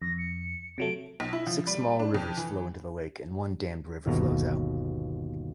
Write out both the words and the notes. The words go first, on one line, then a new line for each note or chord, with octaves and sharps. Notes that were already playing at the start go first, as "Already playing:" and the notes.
Six small rivers flow into the lake, and one dammed river flows out.
F2 A#6
C#7
C3 F#3 A3 D7
B1
E4
F3
G3
D4
F2
E3
G1 D#2 B2 A#5